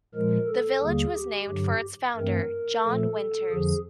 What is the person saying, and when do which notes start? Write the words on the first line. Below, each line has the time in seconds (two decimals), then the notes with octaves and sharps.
The village was named for its founder, John Winters.
0.14 A#2 F3 G#3 A#4
0.47 A4
0.82 D#2 D3 G3 A#3 G#4
1.15 G4
1.48 G2 D3 F#3
2.16 G2 E3 A3 C4 A#4
2.83 A#2 F3 A3 A4
3.50 F2 D3 F3 G#4